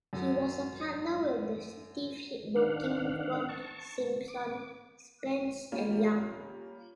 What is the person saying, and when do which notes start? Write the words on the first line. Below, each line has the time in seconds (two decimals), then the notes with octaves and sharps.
He was a partner with the City shipbroking firm Simpson, Spence and Young.
0.13 F#2 F#3
2.56 D#3 D4 F5 F#5
3.49 A5 C#6
4.28 D6
5.72 G3 A#3 C#4 F4